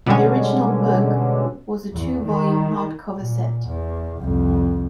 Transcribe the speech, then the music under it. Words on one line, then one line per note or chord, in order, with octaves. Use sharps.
The original book was a two-volume hardcover set.
B2 D3 G3 G#3 C#4
E2
D#3
A#2
E2
C2 F2